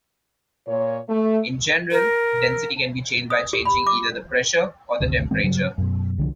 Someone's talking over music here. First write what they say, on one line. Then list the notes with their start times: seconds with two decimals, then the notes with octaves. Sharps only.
In general, density can be changed by changing either the pressure or the temperature.
0.68 A#2 C#5
1.09 A3
1.92 A#4
3.30 D#6
3.53 G4
3.65 B5
3.87 D6
5.00 G#1 D2 C3
5.31 A1 E3 G#3 C4
5.44 G2 C#3 F#3 G3
5.78 F#2 B2
6.18 C2 D3 E3 F3